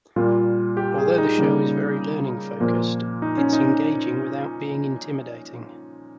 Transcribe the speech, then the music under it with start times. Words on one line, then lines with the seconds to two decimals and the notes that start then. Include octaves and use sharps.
Although the show is very learning-focused, it's engaging without being intimidating.
0.16 A#2 G3 A#3 F4
0.77 G4
0.98 G#4
1.18 D#4
1.38 C#3 G3 A#3
2.60 A#2 F3 A#3
3.22 D#4
3.37 C#4
3.53 D#4